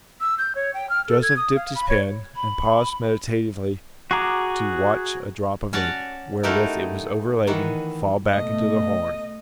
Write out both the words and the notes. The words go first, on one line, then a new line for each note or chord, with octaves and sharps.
Joseph dipped his pen, and paused meditatively to watch a drop of ink, wherewith it was overladen, fall back into the horn.
E6
G6
C#5
G5
F6
A4
G#6
D#6
F5
B5
C#5
B5
F#4 G#4 A#5 D6
C#4 F#4 C#5 D5 A5
A3 D#4 E4 F#4 G4 A#4
D#3 E3 F#4
B2 A3 D#5